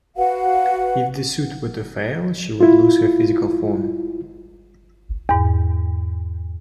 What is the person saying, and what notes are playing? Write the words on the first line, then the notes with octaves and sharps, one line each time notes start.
If the suit were to fail, she would lose her physical form.
F#4 B4 F5 F#5
E4 F4
E2 G#2